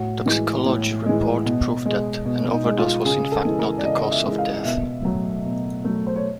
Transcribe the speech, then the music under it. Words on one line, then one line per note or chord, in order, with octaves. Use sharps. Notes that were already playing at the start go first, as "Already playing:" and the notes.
Toxicology report proved that an overdose was in fact not the cause of death.
Already playing: A2 F#4
E3 G#3
A2
E3 G#3
B2
G#3
B2
D#4
G#3
F4
C#3 G#4
A4
E3 G#3
A#4
D5
C#3 D#5
D#5
E5
E3 G#3
F5
B2 E5
F#3 A3
B2
F#3 A3
C5
C#5